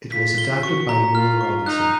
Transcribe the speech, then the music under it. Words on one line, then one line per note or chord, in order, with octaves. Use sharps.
It was adapted by Noel Robinson.
F4 B6
G7
F#4 C#6
A#5
F4 F6
C#6
D#4 F#6